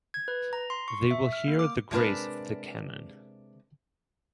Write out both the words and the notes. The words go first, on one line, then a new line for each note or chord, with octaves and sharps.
They will hear the grace of the cannon.
G#6
B4
A#5
C6
C#6
E5
F6
A#3
D6
C3 G#3 D4 D#4 A#4 B4